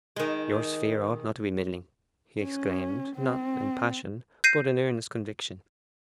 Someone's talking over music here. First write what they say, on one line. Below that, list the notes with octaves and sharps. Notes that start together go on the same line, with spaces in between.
"Your sphere ought not to be middling," he exclaimed, not in passion, but in earnest conviction.
D#3 G#3
C#4
C4
G6 A#6 C7 D#7